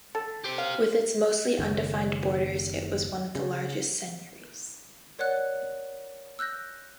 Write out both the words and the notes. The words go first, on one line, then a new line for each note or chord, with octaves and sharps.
With its mostly undefined borders, it was one of the largest seigneuries.
A4
G4 C5
F5
F#1 D#2 C#3
C#3
A#4 C#5 D5 F#5 F#6
E6 F#6 G6 A#6